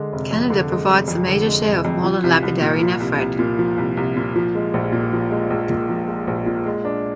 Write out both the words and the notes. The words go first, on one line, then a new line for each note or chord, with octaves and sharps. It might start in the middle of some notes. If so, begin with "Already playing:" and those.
Canada provides the major share of modern lapidary nephrite.
Already playing: D3 G#3
F1
F2
D3
G#3
F1
F2
D3
G#3
F1
F2
F3
C2
C2
A#2
F3
C2
C2
A#2
F3
C2
C2
A#2
F3
G#3
A#1
A#2
F3
G#3
A#1
A#2
F3
G#3
A#1
A#2
G#3
D4